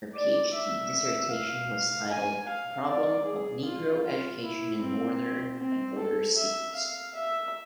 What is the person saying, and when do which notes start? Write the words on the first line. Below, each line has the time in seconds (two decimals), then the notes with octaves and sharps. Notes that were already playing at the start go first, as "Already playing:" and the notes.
Her PhD dissertation was titled "Problem of Negro Education in Northern and Border Cities".
0.15 D5
0.54 E5
1.32 F5
2.10 G#5
2.48 F5
2.87 D5
3.26 G#4
3.65 F4
4.04 F4
4.43 E4
4.82 C4
5.59 C4
5.98 A4
6.37 E5
6.76 F5
7.15 E5